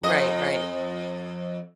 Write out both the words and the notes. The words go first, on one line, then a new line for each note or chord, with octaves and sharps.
Right, right.
F2 D#5